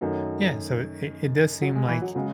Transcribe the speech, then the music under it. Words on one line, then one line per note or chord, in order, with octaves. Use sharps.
Yeah, so it it does seem like,
F#2 D#3 F#3 A3 D#4
F#3
G#3
E3
F#3
C#3 F#3 G#3